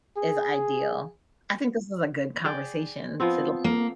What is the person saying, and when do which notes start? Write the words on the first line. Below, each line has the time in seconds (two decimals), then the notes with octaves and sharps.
is ideal. I think this is a good conversation to loo
0.17 G#4
2.44 G#4 D5 G5
3.20 F3 B3 C4
3.64 A#3